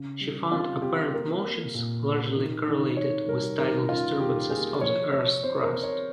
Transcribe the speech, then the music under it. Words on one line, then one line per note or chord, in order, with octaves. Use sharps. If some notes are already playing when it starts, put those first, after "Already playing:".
She found apparent motions largely correlated with tidal disturbances of the earth's crust.
Already playing: C#3
G3
C4 F4
C4 G4
A#3 A#4
A#3
A#2
C#4
D#3
D#3
D#3 C#5
G3 A#4
D#3 A#4
C#4 F4
D#3 G4
A#3 G#4
F3 C#5
F3 C#5
C4 C5
A#4
C4
C#5